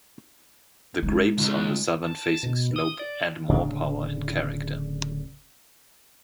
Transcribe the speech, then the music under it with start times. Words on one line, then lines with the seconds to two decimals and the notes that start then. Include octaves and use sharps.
The grapes on the southern facing slope add more power and character.
1.03 G#3 D#4
1.38 C#2
2.03 A5
2.43 B2
2.76 D#6
2.99 D5
3.49 D1 C#3 D4